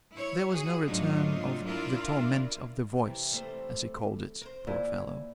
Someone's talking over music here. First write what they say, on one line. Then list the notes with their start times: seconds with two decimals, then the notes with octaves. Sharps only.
There was no return of "the torment of the voice"--as he called it, poor fellow.
0.14 E4 C#5
0.52 F#4 G#4
0.87 G#2 F#3 A3 D4 D#4 F4
1.64 D4 E4 F4 A#4 D5
3.06 C3 E3
3.32 G3 A3 C5
4.41 A#4 C5
4.67 E2 A#2 E4